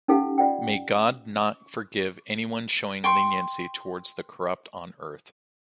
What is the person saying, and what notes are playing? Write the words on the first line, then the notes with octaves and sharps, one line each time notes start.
May God not forgive anyone showing leniency toward the corrupt on Earth.
C#4 D#4 G4 A4 F5 F#5
F4 D5 F#5 G5
G5 C6 C#6